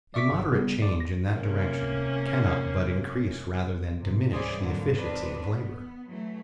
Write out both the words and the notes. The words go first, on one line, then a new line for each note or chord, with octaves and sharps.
A moderate change in that direction cannot but increase rather than diminish the efficiency of labor.
D5 E5 C#6 D6 B6
G1
C#3 G3 B3
D5
A#6
C3 A#3 C#4
G#2 C3
E3 G3 C#4 G#4 C5 D5
F2 G#2 D3 F#3 A#3
D#3 C4 D4 B4
B3
E3 F#3 A3